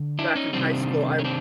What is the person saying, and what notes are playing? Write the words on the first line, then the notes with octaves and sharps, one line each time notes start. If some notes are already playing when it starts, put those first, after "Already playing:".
back in high school, I
Already playing: D3
D4 E4
C#4 D#4
C3 D#3 G3 C4 D4
C#4
C4 D4